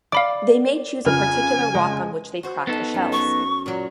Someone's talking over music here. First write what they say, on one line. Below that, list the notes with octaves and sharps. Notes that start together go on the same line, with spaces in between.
They may choose a particular rock on which they crack the shells.
D5 F5 B5 D6
F2 C#3 G#5 F6
G#3
F#4 C5
B3 D#4 A4
F#2
C#6
A#2 F#3